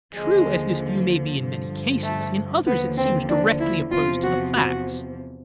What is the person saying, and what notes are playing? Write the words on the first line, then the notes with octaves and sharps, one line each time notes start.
True as this view may be in many cases, in others it seems directly opposed to the facts.
D#2 D3 F3 G#3
G2 D3 F3
A3
D#2 D3 F3 B3
C4
D4
E4
E2 C3 F3 F4
F#4
F#4